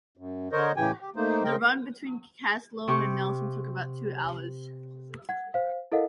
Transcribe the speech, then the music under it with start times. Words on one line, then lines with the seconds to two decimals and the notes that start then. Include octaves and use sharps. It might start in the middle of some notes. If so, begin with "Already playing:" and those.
The run between Kaslo and Nelson took about two hours.
0.17 F#2
0.52 D3 A#4 C5 C#5 D#5
0.77 A2 C#3 E3 G4 G5 G#5
1.01 G4
1.16 A3 A#3 D#4 C5
1.44 C#3 C4 A#4 D#5 G5
2.88 C3 G4 C#6
5.29 F#5 G#6
5.54 C5 F5
5.92 E4 A4 A#4 D#5 F5 F#5